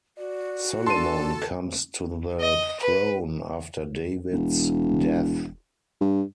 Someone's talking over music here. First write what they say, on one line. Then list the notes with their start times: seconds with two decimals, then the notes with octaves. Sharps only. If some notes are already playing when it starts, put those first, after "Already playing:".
Solomon comes to the throne after David's death.
0.18 F#4 D5
0.86 D4 A4 A5 C6 D#7
2.40 D#5
2.80 B4
4.32 E1
6.01 G2